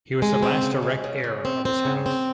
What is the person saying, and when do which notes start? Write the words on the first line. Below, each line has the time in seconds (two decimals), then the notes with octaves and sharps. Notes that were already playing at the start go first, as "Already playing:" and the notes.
He was the last direct heir of his house.
0.22 G#3
0.43 C4
0.63 C#3
0.83 G#3
1.04 C#3
1.24 C#3
1.45 C4
1.65 C4
1.85 C#3
2.06 C4